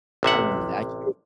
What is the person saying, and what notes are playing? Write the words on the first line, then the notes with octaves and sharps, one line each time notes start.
I remember that year.
A1 C3 E5 F#5